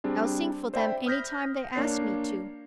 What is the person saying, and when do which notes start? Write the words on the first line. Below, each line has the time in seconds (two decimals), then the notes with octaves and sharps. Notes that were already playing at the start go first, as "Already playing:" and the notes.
I'll sing for them any time they ask me to.
0.04 G3 C4 D4 G#4
0.74 C5 D5 E5 G5 B5
1.06 D#6 F6 G6 A#6 B6
1.75 A#3 D4 C#5 C7